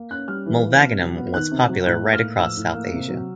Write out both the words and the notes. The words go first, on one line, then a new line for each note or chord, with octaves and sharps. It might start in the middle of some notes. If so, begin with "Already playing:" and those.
Mylvaganam was popular right across South Asia.
Already playing: A#3
C#4 F#6
G3 F6
E3
A#3
C3
F#3
B3
D#3 F#6
C3
F#3
A2 F#6
A#3
F6
A2
F3 E6
A2
A#3
C3
F#3